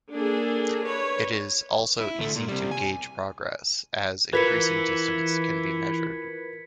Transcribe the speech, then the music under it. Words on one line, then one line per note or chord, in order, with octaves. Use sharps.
It is also easy to gauge progress, as increasing distance can be measured.
A#3 D4 G#4 A4
B4 C#5
E4
D2 A3
A#2
C3 G3
G#5
E3 F4 A#4 B4 G#6 B6 C#7